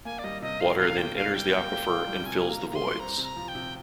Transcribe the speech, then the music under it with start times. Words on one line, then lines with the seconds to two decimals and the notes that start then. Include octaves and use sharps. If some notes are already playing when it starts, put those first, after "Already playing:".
Water then enters the aquifer and fills the voids.
0.05 A#3 G#5
0.19 D5
0.24 G3 D#5
0.42 C3 D#5
0.60 F4 F5
0.79 C3 F5
0.97 A#3 G5
1.16 G3 F5
1.34 G3 G5
1.52 A#3
1.71 A#3
1.90 F4
2.07 G3
2.26 C3 G#5
2.44 A#3
2.51 A#5
2.62 A#3
2.70 A#5
2.75 C6
2.81 G3
3.00 C4 A#5
3.18 C3
3.23 A#5
3.36 F3
3.48 G5
3.55 C3